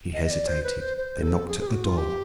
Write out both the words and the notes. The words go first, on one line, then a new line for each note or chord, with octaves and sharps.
He hesitated, then knocked at the door.
D#5
D#5
D5
C5
B4
C5
C5
A4
G#4
G#4
G4
F#4
F4
G4